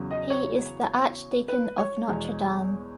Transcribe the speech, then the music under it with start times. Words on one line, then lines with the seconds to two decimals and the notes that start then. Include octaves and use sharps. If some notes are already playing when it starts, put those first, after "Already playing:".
He is the Archdeacon of Notre Dame.
Already playing: E2 C#3 F#3
0.11 D#5
0.30 C#5
1.48 B4
1.78 C#5
2.08 E2 B2 G#3